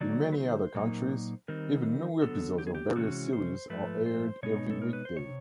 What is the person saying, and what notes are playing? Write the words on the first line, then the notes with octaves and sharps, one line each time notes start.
In many other countries, even new episodes of various series are aired every weekday.
D3 F#3 A#3 D#4 D5
B4
C5
A#2 F#3 A#3 D#4
D#3 G3 C4 D#4 A#4
D3 F#3 B3 A4
G4
G#4
G4
C3 E3 G#3 C#4 F#4
C5
G#2 F3 A3 B4
C5
B2 G#3 B3 D#4 C#5
A4
A#4
B4
C5
C3 C#5